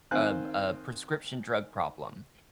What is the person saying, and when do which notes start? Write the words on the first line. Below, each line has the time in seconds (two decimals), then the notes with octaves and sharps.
a a prescription drug problem
0.11 D#3 C4 C5 F5 G#5 F#6